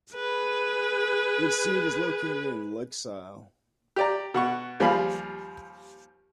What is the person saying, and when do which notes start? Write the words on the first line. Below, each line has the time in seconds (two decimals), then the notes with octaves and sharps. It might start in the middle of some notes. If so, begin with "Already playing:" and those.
Its seat is located in Lycksele.
0.15 G#4 B4
3.96 G4 D5 A#5
4.34 B2 F#5 C#6
4.80 D#2 F3 G3 G#4 F5 B5